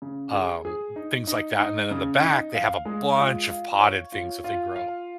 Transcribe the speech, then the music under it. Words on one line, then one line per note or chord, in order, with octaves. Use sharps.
um, things like that, and then in the back, they have a bunch of potted things that they grow,
C#3
G#4
G#4
D#4
D#4
D#4
C#3
D#4
F5
G#3
F4
F5
C#5
F4
F4
F5